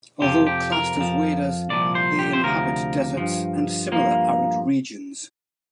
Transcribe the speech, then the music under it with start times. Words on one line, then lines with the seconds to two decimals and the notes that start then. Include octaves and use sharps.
Although classed as waders, they inhabit deserts and similar arid regions.
0.22 F2 C3 F3 G4
0.47 G4
0.72 A#4
0.96 F2 F3
1.70 C2 A#2 F3 D5
1.95 C5
2.19 G4
2.33 C5
2.44 D2 C3 F3 A#4
3.17 G2 F3
3.92 G2 F3 A#3